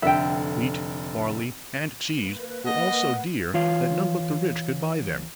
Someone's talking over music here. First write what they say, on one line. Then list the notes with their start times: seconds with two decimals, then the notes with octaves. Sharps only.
Wheat, barley and cheese were all so dear that none but the rich could buy them.
0.02 F1 D3 E5 G5
2.12 A#3 B4
2.66 D#5 F#5
3.54 E3 F4 C#5 F5